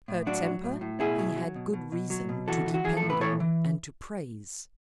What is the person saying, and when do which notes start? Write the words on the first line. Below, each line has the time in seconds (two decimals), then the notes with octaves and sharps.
Her temper he had good reason to depend on and to praise.
0.08 A2
0.26 F#3 D4 F#4
0.45 F#3
0.64 A2
0.81 A2
1.00 B2 E4 G#4
1.18 F#3
1.37 F#3
1.55 B2
1.73 B2
1.92 B2
2.10 F#3
2.29 B2
2.48 E3 F#4 A4
2.66 E3
2.74 F#4
2.84 E3 G#4
2.97 A4
3.02 A2
3.10 B4
3.21 E3 A4 C#5
3.40 E3